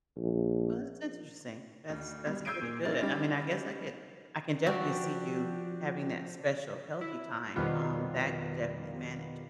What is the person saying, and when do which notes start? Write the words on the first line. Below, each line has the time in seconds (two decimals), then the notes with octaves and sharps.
Well, that's interesting. That's that's pretty good. I mean, I guess I could I can definitely see you having that special healthy time, um, that could definitely manage,
0.17 A#1
1.90 D2
2.26 B1 G3
2.45 E6 G6 G#6 C7 D7 D#7
2.61 A#2
2.85 A1 A#3 D#4 E4 F6 A6
3.01 G3 C#4 D#4 G4
4.66 F3 C4 D4 F#4 G4
7.01 E4
7.56 F2 B2 D#3 G3 B3 F4